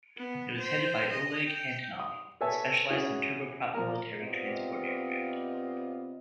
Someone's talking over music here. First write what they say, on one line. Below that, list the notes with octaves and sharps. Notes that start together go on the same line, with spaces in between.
It was headed by Oleg Antonov and specialised in turboprop military transport aircraft.
B3
C5
D#5
G5
D#6
A4 B4 C#5 E5 G#5 A5
C#4 E4 F#4 G#4
F3 A#3 A#4
C3 B3 C4 F4 D5 D#5